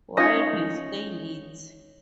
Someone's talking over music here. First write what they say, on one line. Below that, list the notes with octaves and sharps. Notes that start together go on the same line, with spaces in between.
Why'd you stay late?
C#4 D#4 F4 C#5 A#6